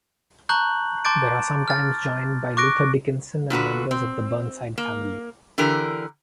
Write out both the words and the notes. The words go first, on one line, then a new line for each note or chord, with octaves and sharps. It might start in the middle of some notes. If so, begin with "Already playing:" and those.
They are sometimes joined by Luther Dickinson and members of the Burnside family.
A5 A#5 C#6 F#6 G6 F#7
A5 C6 D6 G6 A6 D7
F6 A6
C#6 D6 F#6 A#6 D7
A#2 D3 F#4 B4
C4
A#3
D3 E3 G4 A#4